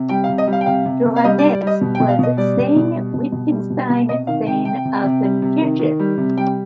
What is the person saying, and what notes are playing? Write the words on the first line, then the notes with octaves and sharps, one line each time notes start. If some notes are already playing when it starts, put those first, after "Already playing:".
Johanette's was Sayn-Wittgenstein-Sayn-Altenkirchen.
Already playing: C3
G3 G5
F5
C3
D#5
G3
F5
G5
C3 F5
C3
C3
F5
G3 D#5
D5
G3
D5
G3 D#5
B2
G5
B2
F5
B2 D#5
G3 D5
B2
B2
G3
B2
B2
G3
B2
B2
C3 D#5
D#3 F5
C3 G5
C3 G5
C3
C3
G3
C3
D#3
D#3
G3
C3
G3 G5